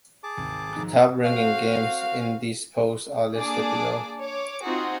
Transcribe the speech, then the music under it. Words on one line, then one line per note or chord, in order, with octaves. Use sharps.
The top-ranking games in these polls are listed below.
G#4 A5 D6
G#1 D2 C3
D#3
G#2 D#3 F3 F#3 D#4
C4 F#4 F5
A#3 D4 G#4 D5 A5 D6
C#5 D6
C4 D#4 F4 F#4 G#4